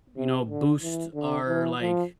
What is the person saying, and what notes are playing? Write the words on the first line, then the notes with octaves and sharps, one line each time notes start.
"you know, boost our, like,
C3
D3
E3
D3
E3
F3